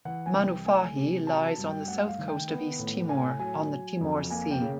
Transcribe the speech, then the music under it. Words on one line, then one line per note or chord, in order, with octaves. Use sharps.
Manufahi lies on the south coast of East Timor, on the Timor Sea.
E3 F#5
G#5
C2 G5
A3 G#5
C3
F#3 A5
A5
G2
G5
A3 F#5
F5
D#3
G5
B3
A2
A2 G#5
F#3 G#5
F#3
F2
A#3 G#5
G5
C#3